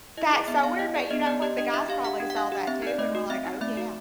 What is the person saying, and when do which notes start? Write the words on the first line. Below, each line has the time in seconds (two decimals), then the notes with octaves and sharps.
that's so weird," but you know what, the guys probably saw that too and were like, "Oh yeah,"
0.17 E4 D#5
0.32 G#4 D#5
0.48 B3 E5
0.63 B3 F5
0.79 E4 D#5
0.95 G#4 D5
1.10 B3 D#5
1.26 B3 D5
1.42 G4 D#5
1.58 D4 D#5
1.74 D4 E5
1.88 G4 F5
2.04 G4 F#5
2.20 D4
2.30 F#5
2.37 D4 F5
2.52 G4
2.67 C4 E5
2.82 D#4 D5
2.98 A3 D#5
3.15 F#4
3.30 C4 E5
3.46 D#4
3.61 A3 E5
3.77 F#4